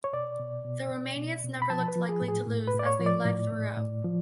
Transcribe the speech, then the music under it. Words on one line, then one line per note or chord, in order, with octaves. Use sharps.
The Romanians never looked likely to lose as they led throughout.
C#5
B2 D5
B2
B2
B2
B2
B2
B5
F3 A5
B4
F3
G#4
A2
G#4
A2
B4
A2
D5
C#5
F3
D5
A2
A2
A2
F3